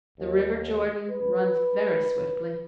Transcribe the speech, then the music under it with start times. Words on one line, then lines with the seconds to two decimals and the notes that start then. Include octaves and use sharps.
The River Jordan runs very swiftly.
0.20 D#2
1.11 B4